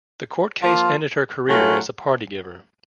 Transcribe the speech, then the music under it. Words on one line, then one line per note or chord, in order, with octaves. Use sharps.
The court case ended her career as a party giver.
F3 A#3 F4
A2 F#3 A3 C#4 F4